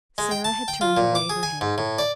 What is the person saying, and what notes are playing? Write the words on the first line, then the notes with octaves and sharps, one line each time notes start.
Sara had turned away her head.
G#3
G5
A5
G5
F4
A#2
D6
G#4
G#5
G#2
A2
D5